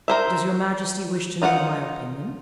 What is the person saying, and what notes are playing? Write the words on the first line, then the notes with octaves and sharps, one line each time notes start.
"Does your majesty wish to know my opinion?"
A#4 C5 E5
D#4 F4 F#4 F#5